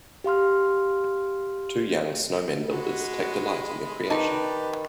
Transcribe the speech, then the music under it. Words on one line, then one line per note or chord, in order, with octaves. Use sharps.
Two young Snowman builders take delight in their creation.
G4 F5 C6 F6
G#3 F#4 B5
D#3 D#4 G4 B4 D5 A5 B5